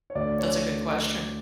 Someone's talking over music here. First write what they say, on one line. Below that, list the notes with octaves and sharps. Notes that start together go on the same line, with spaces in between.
That's a good question.
C#5
D2 D5
C#5